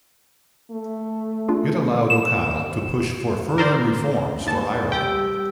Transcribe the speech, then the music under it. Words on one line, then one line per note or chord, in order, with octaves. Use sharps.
It allowed O'Connell to push for further reforms for Ireland.
A3
D4 F4 G#4
E7
A#4 C5 D5
D#2 A3 G#5 A5
G3 G4 G5 E6